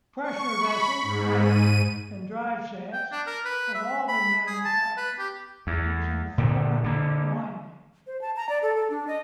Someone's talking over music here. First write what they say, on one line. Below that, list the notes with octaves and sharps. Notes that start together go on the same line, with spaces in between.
Pressure vessels, pipes and drive shafts have all been manufactured using filament winding.
C#6
B5
G#2
D#7
G5
D4
A#4
B4
E5
B5
G#4
A5
B4
G4
E2
A#2 D3 D#3
D3 A#3
C5
A5
A#5
D5
A4
A4
D4
D#5